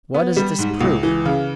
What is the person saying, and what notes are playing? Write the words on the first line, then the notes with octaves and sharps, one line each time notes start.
What does this prove?
B3
G3
G#2
C#2
E3
C#3